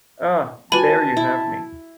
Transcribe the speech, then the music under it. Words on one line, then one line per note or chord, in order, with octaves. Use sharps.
Ah, there you have me.
G3 F4 F#4 B4 G#5 A5 B5
E4